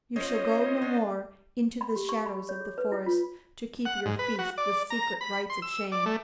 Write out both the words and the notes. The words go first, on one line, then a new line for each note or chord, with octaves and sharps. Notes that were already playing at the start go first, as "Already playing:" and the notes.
You shall go no more into the shadows of the forest to keep your feasts with secret rites of shame.
C#4 F4 C5 C#5 D#5
D4
B5
G4
C#6
B5
C#5
G#4
B4
E4
F4
F#5
G#2
B4
F#4
D5
A#5
B5
C6
E6
D5
A3